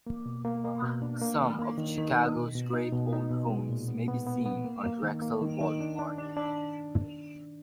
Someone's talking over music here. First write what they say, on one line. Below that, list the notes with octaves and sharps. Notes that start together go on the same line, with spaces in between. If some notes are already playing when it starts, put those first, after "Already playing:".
Some of Chicago's great old homes may be seen on Drexel Boulevard.
A#3
B2
A#3
A#3
B2
D4
A#3
D#3
A#3
D#3
D#3
D#4
B2
B2
D#4
B2
D#4
B2
G#3
A#2
B3
B3
B3
B3
A#3
A#3
D#3
A#3
D#3
D#3
D4
D4
D4
D4